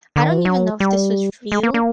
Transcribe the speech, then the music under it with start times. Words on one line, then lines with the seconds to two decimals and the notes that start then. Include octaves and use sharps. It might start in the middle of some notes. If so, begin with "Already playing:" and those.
I don't even know if this was real,
0.16 D3
0.23 D#3
0.30 E3
0.38 F3
0.45 F#3
0.80 G3
1.52 G#3
1.63 A#3
1.74 A#3